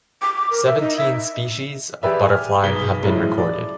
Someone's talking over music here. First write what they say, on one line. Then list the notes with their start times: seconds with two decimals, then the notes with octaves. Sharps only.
Seventeen species of butterfly have been recorded.
0.22 D6
0.36 D6
0.50 A#4
0.65 E5
0.80 D#4
0.97 E5
2.03 G4 G#4 B4 D5 E5
2.26 G#5 F6
2.63 B1 G2 B2 G#4 B6 G7
3.02 A2 C#3 F3 F#3 G#3
3.38 D5